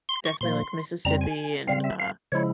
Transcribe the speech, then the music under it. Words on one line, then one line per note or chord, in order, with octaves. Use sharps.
definitely, like, Mississippi and, uh,
C6
C#6
A#2 F3 A#3 C6
F2 C#3 G3 C4 A#5
G#5
C#3 G3 C4 F5
E5
F5
C#3 F3 G#3 E4 C#5